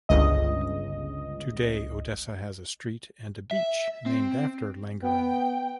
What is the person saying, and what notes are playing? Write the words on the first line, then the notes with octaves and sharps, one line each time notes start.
Today Odessa has a street and a beach named after Langeron.
G1 C#2 D#5
E5
C4
B3 G5